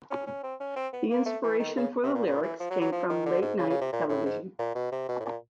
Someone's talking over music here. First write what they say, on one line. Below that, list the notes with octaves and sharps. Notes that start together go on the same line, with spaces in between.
The inspiration for the lyrics came from late-night television.
C#4
C#4
C4
C#4
C4
B3
A#3
A3
E3
D#3
C#3
C3
A#2
A#2
E3
F3
F#3
F#3
F3
D#3
D3
G#2
C#3
C#3
C3
A#2
A2
G#2
A#2
B2
C3
B2
A2
A#2